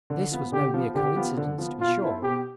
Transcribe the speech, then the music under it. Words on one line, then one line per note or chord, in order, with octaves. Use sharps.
This was no mere coincidence, to be sure.
D3
F3 B3
D3 G4
F3 B3
D3 G4
F3 B3
D3
F3 B3
B2 F4
B3 E4 A4 C5
B2 G4